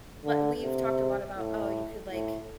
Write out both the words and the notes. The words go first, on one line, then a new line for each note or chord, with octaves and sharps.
w we've talked a lot about, "Oh, you could, like,
D3
C3
A2
A2